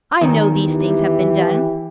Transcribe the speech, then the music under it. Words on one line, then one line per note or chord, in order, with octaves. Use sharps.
I know these things have been done.
E2 D#3
E3 G4